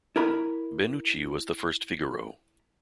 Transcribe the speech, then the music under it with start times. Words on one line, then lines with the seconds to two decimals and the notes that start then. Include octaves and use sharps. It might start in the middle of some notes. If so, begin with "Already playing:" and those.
Benucci was the first Figaro.
0.16 E4 A#4 B5